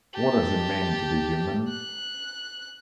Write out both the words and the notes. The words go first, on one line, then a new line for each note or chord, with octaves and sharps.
What does it mean to be human?
G4 A5
F#6